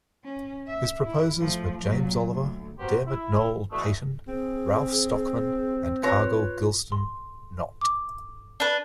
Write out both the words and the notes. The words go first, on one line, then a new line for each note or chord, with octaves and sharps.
His proposers were James Oliver, Diarmid Noel Paton, Ralph Stockman and Cargill Gilston Knott.
C#4
E5
E4
F3 A3
A#2 F#3
D2
B3 C4 F#4 G4 A#4 C5
E4
B2 D3 E3 G#3 A3
C4 G#4
F4 B4 C#5 C6 A#6
C6
D6
D4 B4